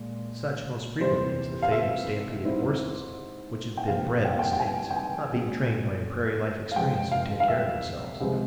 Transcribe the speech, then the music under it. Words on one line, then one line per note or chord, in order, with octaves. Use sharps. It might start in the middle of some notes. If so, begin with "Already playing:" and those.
Such, most frequently, is the fate of stampeded horses which have been bred in the States, not being trained by a prairie-life experience to take care of themselves.
Already playing: A#2 G#3
C3 E3 G3 C5
F5
E5
G#2 G3 C4 E4
G5
C#2 C3 F3 A#3 F5
G5
F5
G5
G5
G#5
G5
G#5
A#2 G#3 C#4 F4
F5
F2 C3 F3 G#3 G5
F5
F5
E5
C#2 C3 F3 G#3